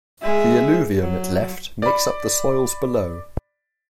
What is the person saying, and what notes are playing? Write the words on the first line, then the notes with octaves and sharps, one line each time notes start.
The alluvium it left makes up the soils below.
G#3 E5
F#3
D5 B5